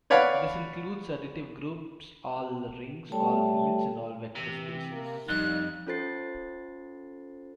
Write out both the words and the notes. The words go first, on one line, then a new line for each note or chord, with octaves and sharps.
This includes additive groups, all rings, all fields, and all vector spaces.
B4 C#5 D5 F5 F#5 B5
G3 A3 C#5 G5 A5
C3 E3
A#3
F2 G3 D#4 F#6
C#4 F4 A4 C5 A6 C7